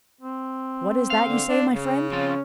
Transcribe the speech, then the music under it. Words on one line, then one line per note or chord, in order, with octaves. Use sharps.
"What is that you say, my friend?"
C4
F5
D3
D4
C#3
F3 C4 C#4 F4